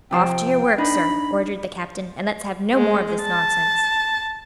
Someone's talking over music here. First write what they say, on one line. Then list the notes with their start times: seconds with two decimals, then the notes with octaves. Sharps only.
"Off to your work, sir," ordered the captain, "and let's have no more of this nonsense."
0.11 C3 F3 C5 G5
0.78 D4 D#4 B5
2.73 G#3
3.22 A5